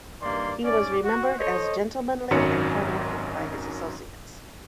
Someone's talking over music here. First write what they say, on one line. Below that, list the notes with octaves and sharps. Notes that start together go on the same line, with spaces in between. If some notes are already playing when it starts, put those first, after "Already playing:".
He was remembered as gentlemanly and hard-working by his associates.
G2 D#3 A#3 D5 C6
G#2 C#4 D5
F#4
A4 C5 C#5 D#5
G#1 F#2 D#3 F#3 C#4 C#7